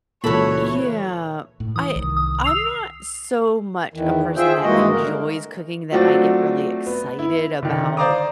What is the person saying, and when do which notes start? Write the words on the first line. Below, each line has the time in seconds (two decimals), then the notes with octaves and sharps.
Yeah. I I'm not so much a person that enjoys cooking that I get really excited about,
0.24 C#2 A#2 E3 E4 F#4 A4 C#5 B5
1.60 A2
1.76 E3 D#6
1.96 C2 D#3
2.17 D#6
2.44 E6 C7 F7
3.94 E2 D#3 E3
4.36 F4 G#4 C5 E5 G5
4.63 G2 E3 G#3 A#3 F#4 D#5
4.92 D3 A#4
5.92 F#3 A3 C4 D4 F4 F#4
6.86 B3
7.19 E4
7.63 D3 D#3
7.97 C5 D5 F5 A#5 D6 D#6